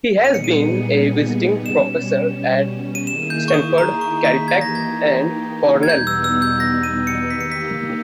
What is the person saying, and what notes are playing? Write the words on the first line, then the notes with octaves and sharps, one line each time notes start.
He has been a visiting professor at Stanford, Caltech, and Cornell.
A#2 G3 B3 D#4 G#4 D#7
C#7
D#7
B2 G3 C#4 E7
D#7
D#3 A#3 E4 G#4 E7
G6
C#6
D#6
A#5
C#6
B6
E3 A#3 D#4 G4 G#6
A#6
G#6
G#6
E2 B2 G3 B3 D#4 G6
E6
E6
G6
A#6
D#7
C#7
D#3 A#3 D#4 G4 B6
C#7
B6